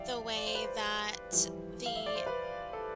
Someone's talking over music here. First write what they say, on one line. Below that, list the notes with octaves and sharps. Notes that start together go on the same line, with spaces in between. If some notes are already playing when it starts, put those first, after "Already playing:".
the way that the
Already playing: F2 E3 G3 D5 E5 F5 G5
D5
C5
B4
C5
F2 E3 G3
F5
E5
D5
C5
B4
A4